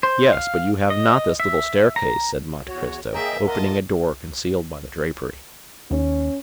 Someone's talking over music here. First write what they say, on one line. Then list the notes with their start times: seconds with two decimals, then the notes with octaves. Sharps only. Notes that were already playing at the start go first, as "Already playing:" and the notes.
"Yes, but you have not this little staircase," said Monte Cristo, opening a door concealed by the drapery.
0.03 C5
0.33 F5
0.90 D#5
1.40 E5
1.96 A#5
2.68 E2 F#4 C#5
3.13 A#3 G#4 C#5 D#5 E5 G5 A#5
3.48 F4 A#4 D#5 F#5 A5
5.91 D#2 C#4